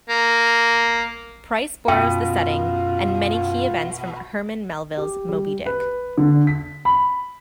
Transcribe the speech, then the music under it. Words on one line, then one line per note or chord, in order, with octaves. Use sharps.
Price borrows the setting and many key events from Herman Melville's "Moby-Dick".
A#3
F#2 B2 F4 G5
G4
G3
B4
D3
B6
B5